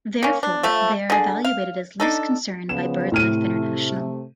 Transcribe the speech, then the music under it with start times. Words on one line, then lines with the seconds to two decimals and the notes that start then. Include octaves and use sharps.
Therefore, they are evaluated as least concern by BirdLife International.
0.23 A#3 C#4
0.43 D4
0.63 F3 A3 E5
1.10 D3 G#4
1.44 F5
2.00 D4 D#4 A4
2.69 C#3 F3 B3 E7
3.12 A2 C3 A3 F6 D#7